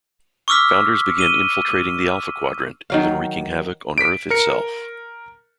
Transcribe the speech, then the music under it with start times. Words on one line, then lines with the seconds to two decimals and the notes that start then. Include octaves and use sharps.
Founders began infiltrating the Alpha Quadrant, even wreaking havoc on Earth itself.
0.48 C#6 D6 E6 F6 B6
1.19 D#7 G7
2.90 D#3 F#3 F5
3.98 B6 D7
4.30 A#4 C#7